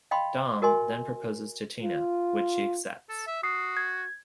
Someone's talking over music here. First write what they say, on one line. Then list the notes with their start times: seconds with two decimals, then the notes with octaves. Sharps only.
Dom then proposes to Tina, which she accepts.
0.11 D#5 F5 G5 B5 C6
0.62 F#4 A#4 D#5 G#5 C6
1.83 F4
3.09 A4
3.27 E5
3.43 F#4 D#6 C7
3.77 G#6